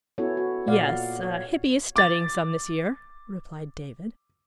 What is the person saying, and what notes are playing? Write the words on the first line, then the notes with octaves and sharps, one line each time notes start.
"Yes, Hippy is studying some this year," replied David.
B3 C#4 E4 F#4 A4 C#5
F#4
A#2 D5 F5 F#5
C#5
D6 A6